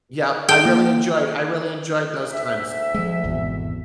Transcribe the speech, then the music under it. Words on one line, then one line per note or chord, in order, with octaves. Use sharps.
Yep, I really enjoyed I really enjoyed those times,
G#4 A4 G5
A#3
D2 E5
F3 G#3
G#1 E2 B2